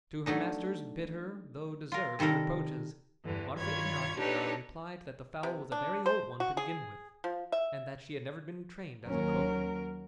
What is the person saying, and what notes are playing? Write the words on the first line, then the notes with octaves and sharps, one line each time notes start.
To her master's bitter, though deserved, reproaches, Marfa Ignatyevna replied that the fowl was a very old one to begin with, and that she had never been trained as a cook.
F#3 A3 D4 D#4
F4 A#4
C3 D#3 G3 A4 A#4
E2 G2 D3 E3
G2 D#3 F4 C#5 B5 G#6
D4 D#4 G4 A4 B4 C#5
C3
D4
C5
F#4
G#4
F3
E5
D#2 F#3 C#4 A#4